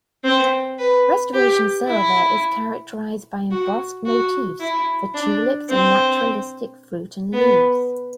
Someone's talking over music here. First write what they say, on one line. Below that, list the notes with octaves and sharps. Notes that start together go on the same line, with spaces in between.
Restoration silver is characterized by embossed motifs for tulips and naturalistic fruit and leaves.
C4
B4
G4
E4
F#4
F#4
E4
D4
C4
B3